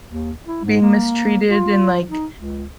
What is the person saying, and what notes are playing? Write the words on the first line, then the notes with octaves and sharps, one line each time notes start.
being mistreated in, like,
D#2
E4
G#2
A#3
F4
D#4
C#2